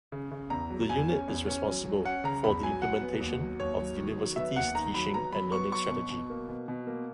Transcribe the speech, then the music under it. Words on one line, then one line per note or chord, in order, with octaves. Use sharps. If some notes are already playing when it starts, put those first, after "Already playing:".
The Unit is responsible for the implementation of the university's Teaching and Learning Strategy.
C#3
C#3
E2 A#5
F#3
E2 G#5
C#4
E2
C#4
F#3
F#3
C#4 F#5
C#3 A#5
E2 B5
F#3 G#5
F#3 F#5
B3
D#2
F#3
D#2 C#5
F#3
D#3
F#3
B3 E5
D#2 F#5
D#3 A#5
F#3 B5
B3 A#5
F#3 B5
B3 C#6
F#3 C#6
B2
B2
A#3
B2
B2
A#3